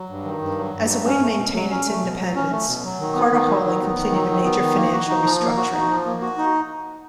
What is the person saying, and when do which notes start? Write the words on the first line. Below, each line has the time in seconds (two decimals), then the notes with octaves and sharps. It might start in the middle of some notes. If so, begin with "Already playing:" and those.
As a way to maintain its independence, Carter Hawley completed a major financial restructuring.
Already playing: F#3
0.09 G2
0.25 D#3
0.41 G2
0.58 F#3
0.74 G2
0.90 F#3
1.06 C#4
1.22 A3
1.38 B2
1.54 F#3
1.71 C#4
1.87 A3
2.02 B2
2.18 F#3
2.35 C#4
2.50 A3
2.68 B2
2.84 F#3
2.99 D#3
3.15 B3
3.31 D#3
3.48 F#3
3.63 D#3
3.80 B3
3.96 D#3
4.12 F#3
4.28 D#3
4.43 B3
4.60 D#3
4.77 A#3
4.92 F#4
5.08 D#4
5.24 F3
5.41 A#3
5.57 F#4
5.73 D#4
5.89 F3
6.05 A#3
6.21 F#4
6.37 D#4